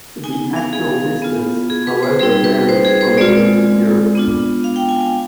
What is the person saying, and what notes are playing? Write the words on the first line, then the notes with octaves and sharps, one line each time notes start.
The actual distance however varies from year to year.
B3 D#4 G#5
F5
G#4
B3 F4
G#4
B4
C5
G3 C4 D#4 G#4
B4
C5
G#4
C5
G#3 C4 F4 D5
B3 D4 F4
F5
G5
G#5
G#5